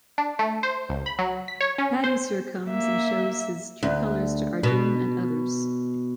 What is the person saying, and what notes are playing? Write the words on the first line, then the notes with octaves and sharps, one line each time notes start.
Paddy sir comes and shows his true colors to Arjun and others.
D4
A3
C5
C#2
B5
F#3
B6
C#5
C#4
C5
A#3 E5
D2
B2